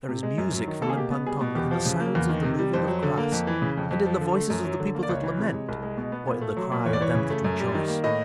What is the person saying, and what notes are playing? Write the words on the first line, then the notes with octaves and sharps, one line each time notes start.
There is music for Limpang-Tung in the sounds of the moving of grass and in the voices of the people that lament or in the cry of them that rejoice.
C3
G#3
F#2
F#3
D#3
A#3 A4
G#4
B2 G4
B3
G3 G#4
B2
E2 G4
F3
C#3
A#3
E2
D#3
C3
G3
F2 C5
F#3
D3
A#3
F2
E3
C#3
F2
F2
F3
D3
A3
F#2
F#3
D3
A#3
D5
C#2 C#5
E3
C3
G#3
C2
G#3
B2
B3
A#2
A3
F#3
A#2
E2 C#5
D5
E3 C#5
C#3
A3
F#2
G3
D#3
A#3
A2 D#5